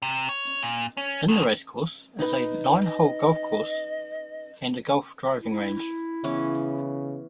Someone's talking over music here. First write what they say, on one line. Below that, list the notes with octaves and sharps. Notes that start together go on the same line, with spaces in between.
In the racecourse is a nine-hole golf course and a golf driving range.
C3
C#5
A#2
C#4
B2 D#3
D#4 B4
D#5
E4
C#3 E3 B3 C#4